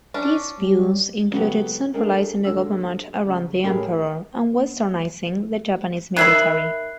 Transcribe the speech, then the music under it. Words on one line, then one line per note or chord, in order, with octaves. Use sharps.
These views included centralizing the government around the emperor, and Westernizing the Japanese military.
C#4 D4
G3
C#3 F#3 A3 B3 G4
A3 D4 G#4 A#4
D3 G#3 E6
C#3
A2 C#4 G4 G#4 A#4 B5
D#3 E5 B5 F#6 G#6 C7